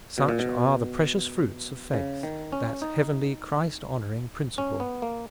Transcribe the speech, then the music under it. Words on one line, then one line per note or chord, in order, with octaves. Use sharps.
Such are the precious fruits of faith,--that heavenly, Christ-honoring principle.
B2
A#2
B2
C#3
D#3
C#4
D#4
C#4
B3
A#3